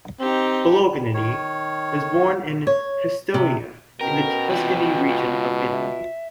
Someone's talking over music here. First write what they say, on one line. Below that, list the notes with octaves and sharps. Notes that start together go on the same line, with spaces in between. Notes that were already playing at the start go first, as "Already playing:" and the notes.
Bolognini was born in Pistoia, in the Tuscany region of Italy.
C4 D#4 G4
D#3 C#5
C#5
C3
B2 C#4 A#4 G5
C3 E3 F4
C#2
E5